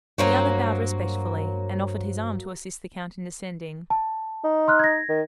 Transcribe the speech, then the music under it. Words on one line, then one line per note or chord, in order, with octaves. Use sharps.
The other bowed respectfully, and offered his arm to assist the count in descending.
G2 F#3 A#3 F#4 C5 A#5
A5
D#4
C6 F6 F#6
G#6 A#6
D#3